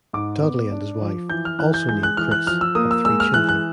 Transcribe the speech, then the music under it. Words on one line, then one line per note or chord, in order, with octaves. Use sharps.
Dudley and his wife, also named Chris, have three children.
G#2 D6
B3
D4
F3
E3 G6
F6
E3 F#6
G6
G#3 G6
F#6
E3 F6
F#6
F3 F6
E6
A#3 D#6
E6
G#3 E6
F6
E3 F#6
F#6